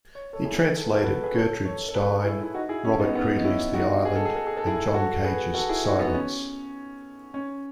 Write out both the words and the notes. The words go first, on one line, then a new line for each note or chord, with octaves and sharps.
He translated Gertrude Stein, Robert Creeley's "The Island", and John Cage's "Silence".
C#5
A4 C#5
E4 G#4
A4
B4
F#4 A4
B4
A4
G#4 B4
A4 C#5
A4 C#5
A4
G#4 B4
E4 G#4
E4
D#4 F#4
E4 G#4
C#4
B3 D#4
B3 D#4
D#4
C#4 E4
D#4 F#4
G#4
A4
G#4
A4
G#4
A4
E4 G#4
F#4 A4
G#4 B4
F#4 A4
E4 G#4
D#4 F#4
B3 D#4
C#4
C#4